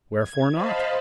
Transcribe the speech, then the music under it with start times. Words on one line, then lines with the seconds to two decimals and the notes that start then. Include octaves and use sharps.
Wherefore not?
0.18 G#6
0.53 C5 D#5 F5 A5 B5